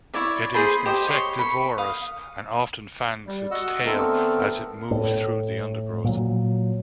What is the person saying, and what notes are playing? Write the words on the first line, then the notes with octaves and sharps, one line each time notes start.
It is insectivorous, and often fans its tail as it moves through the undergrowth.
E4 C#5 D5 E5
G#4 C5 B5
G4 C5 D#5
C#5 B5 C6
B5 C#6
F5 D#6
G3
F#4 D#5 F#5 E6
D3 A3 B3 C4 A4 A#4
A2
A#2 F#3